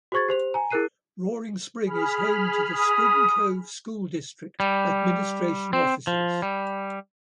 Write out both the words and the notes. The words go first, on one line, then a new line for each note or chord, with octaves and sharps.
Roaring Spring is home to the Spring Cove School District administration offices.
F#4 G#4 C5 C#6 G#6 A6
G4 C5 F7
G#5 A#5
E4 G#4 A#4 F#6 C7 D#7
G#4 B5 F6
D#6
G3
C4
F3
G3